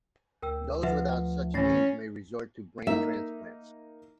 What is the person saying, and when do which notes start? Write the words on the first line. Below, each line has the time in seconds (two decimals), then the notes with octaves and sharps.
Those without such means may resort to brain transplants.
0.42 D2 A#4 G5 E6
0.83 F3 B4 E5 F#5
1.54 A2 E3 C#4 A6 A#6 C7
2.87 A#3 D#4 E5 A#5